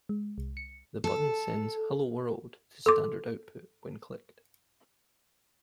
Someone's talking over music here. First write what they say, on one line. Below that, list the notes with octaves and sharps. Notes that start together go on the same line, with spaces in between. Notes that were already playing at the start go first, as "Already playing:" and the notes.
The button sends "Hello world" to standard output when clicked.
G#3
C2
C#7
A4
A4 C6 D6